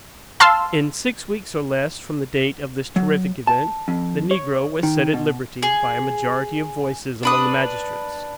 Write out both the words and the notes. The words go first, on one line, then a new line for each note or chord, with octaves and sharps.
In six weeks or less from the date of this terrific event, the negro was set at liberty by a majority of voices among the magistrates.
F5 A5 C6 E6 F6
F#3
A5
F2
C#5
D#3
B2
G#4
D4 B4 D#6